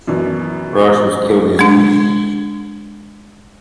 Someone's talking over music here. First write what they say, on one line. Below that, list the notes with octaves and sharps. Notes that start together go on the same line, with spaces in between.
Rosch was killed instantly.
F#2 B2 E3 D4 E4
G#3 D4